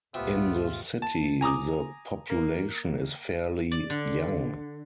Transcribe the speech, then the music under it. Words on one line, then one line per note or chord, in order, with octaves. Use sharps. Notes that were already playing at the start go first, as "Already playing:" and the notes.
In the city, the population is fairly young.
C2 A2 C3 A3 B3 F4
A5
G#5 A#5 D6 D#6
A#3
D5
D3